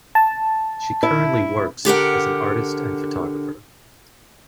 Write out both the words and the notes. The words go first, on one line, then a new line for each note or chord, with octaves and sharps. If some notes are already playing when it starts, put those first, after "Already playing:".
She currently works as an artist and photographer.
A5
E4
D3 G4 A#4 F#5